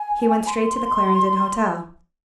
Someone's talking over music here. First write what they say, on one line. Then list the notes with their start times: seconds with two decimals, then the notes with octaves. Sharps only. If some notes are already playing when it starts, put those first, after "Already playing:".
He went straight to the Clarendon Hotel.
Already playing: G#5
0.47 C6